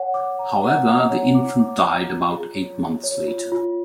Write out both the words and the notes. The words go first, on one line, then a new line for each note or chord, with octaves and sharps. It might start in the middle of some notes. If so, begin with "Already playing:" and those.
However, the infant died about eight months later.
Already playing: C#5 F#5
D6
A#5
F#5
A#5
C#5
D6
D6
A#5
F4
G#4
C#5
G#4
C#5
F4
F4